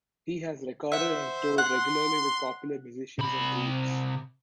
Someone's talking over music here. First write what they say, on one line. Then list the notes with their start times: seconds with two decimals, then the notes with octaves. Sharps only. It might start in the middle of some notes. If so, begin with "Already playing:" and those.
He has recorded and toured regularly with popular musicians and groups.
0.92 C5 E5 F#5
1.58 F#5 C6
3.19 C3 B5